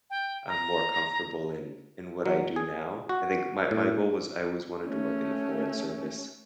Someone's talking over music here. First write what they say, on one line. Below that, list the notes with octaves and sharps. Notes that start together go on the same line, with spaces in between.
I'm more comfortable in in what I do now. I think my my goal was I always wanted to work in the foreign service.
G5
A#5
F#3
G#4
F#4
A2
A3 C#4